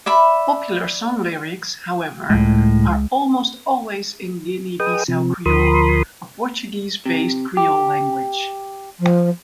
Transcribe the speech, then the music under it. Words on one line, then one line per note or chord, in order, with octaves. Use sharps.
Popular song lyrics, however, are almost always in Guinea-Bissau Creole, a Portuguese-based creole language.
D5 E5 B5
C#2 A2 G#3
G#4 B4 D#5 G5 D#6
C3 F3
D2 F3 A#4 B5 C6 D#6
C3
G4
F3